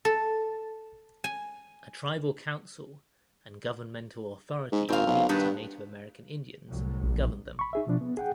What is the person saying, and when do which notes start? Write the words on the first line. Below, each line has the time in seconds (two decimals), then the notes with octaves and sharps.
A tribal council and governmental authority unique to Native American Indians govern them.
0.05 A4
1.24 G#5
4.72 G#2
4.89 G#1 C4 F5
5.07 B1
5.29 G2 D#3 B3 D4
6.68 C2 A2 F#3
7.03 A#1
7.59 B5 C#6
7.73 D#4 G#4 E5
7.87 B2 F3 D4
8.01 B3
8.17 G#4 F#5 G5